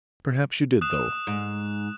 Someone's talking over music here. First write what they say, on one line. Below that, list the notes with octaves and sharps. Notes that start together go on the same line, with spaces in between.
Perhaps you did, though.'
D#6 F#6 E7
G#2